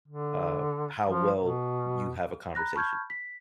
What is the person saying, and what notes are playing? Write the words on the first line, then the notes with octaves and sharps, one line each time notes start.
uh, how well you have a conversation.
D3
F3
B2
A#5 B5 F#6 A#6
A5 B5 C#6 F6 G6 G#6
B6